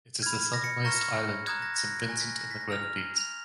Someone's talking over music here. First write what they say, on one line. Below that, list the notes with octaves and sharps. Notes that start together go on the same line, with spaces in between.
It is the southernmost island in Saint Vincent and the Grenadines.
B5 F6 G#6
A#6
C#7
A#5 C#6 F6 A#6
A#5 D#6 F#6 G#6
A#6
A#6
G#5 C#6 F#6 A#6
B6
A#6
A#6
B6
A#6
A#5 F6 F7
F7